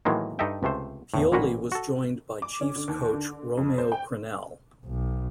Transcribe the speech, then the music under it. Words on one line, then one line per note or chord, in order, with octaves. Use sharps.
Pioli was joined by Chiefs coach Romeo Crennel.
A2 D#3 E3 F#3 G#3 A#3
G2 D#4 A4 D#5 E5 G5
C#2 C3 A3 C5
E2 A2
A1 A#2 A#3 F#4 B4 A#5
F#4 A4
D6
C#4
D3
D#2
D3
F2
C5
G5
B1